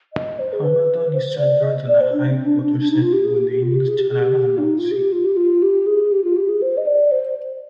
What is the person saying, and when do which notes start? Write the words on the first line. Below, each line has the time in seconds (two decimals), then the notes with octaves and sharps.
Hambledon is centred on a high watershed between the English Channel and North Sea.
0.13 D#5
0.39 C5
0.53 G#4
0.63 B4
1.13 C5
1.38 D5
1.63 D#5
1.88 D5
2.01 C5
2.12 D4
2.30 C4
2.47 D4
2.63 D4
2.80 D4
2.91 D#4
3.02 F4
3.13 G4
3.25 G#4
3.38 G4
3.51 G4
3.63 F4
3.75 G4
3.88 G#4
4.00 G4
4.11 G#4
4.22 G4
4.58 D4
4.63 D#4
4.79 F4
4.91 G#4
4.96 G4
5.12 F4
5.25 G4
5.37 F4
5.62 G4
5.87 G#4
6.12 G4
6.24 F4
6.36 G4
6.49 G#4
6.62 C5
6.77 D#5
6.86 D5
7.11 C5